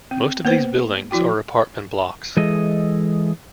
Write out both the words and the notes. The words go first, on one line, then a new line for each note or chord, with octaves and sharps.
Most of these buildings are apartment blocks.
C4
A#3 B3 B4 C5
F3 E4 F#4 G5
E3 G#3 G#4 A4 D#5